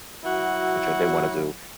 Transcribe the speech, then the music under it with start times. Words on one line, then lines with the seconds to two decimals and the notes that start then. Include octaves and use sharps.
which I didn't wanna do."
0.25 F#3 E4 F#4 F#5